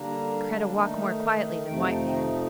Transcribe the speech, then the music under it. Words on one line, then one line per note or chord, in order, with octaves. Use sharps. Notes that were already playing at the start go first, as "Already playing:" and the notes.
Kreta walk more quietly than white man.
Already playing: D3 G3 A#3 D4 A#5
D#3 A3 D#4
F2 C3 F3 A3 D#4 G5
G5
A5
A#5